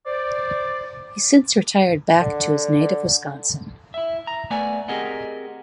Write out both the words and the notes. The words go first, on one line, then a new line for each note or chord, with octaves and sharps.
He since retired back to his native Wisconsin.
C5 D5
D3
E4 E5
A#5
A3 B3 B4 D5 F#5 G#5
C4 G4 G#4 A#4 D#5 F#5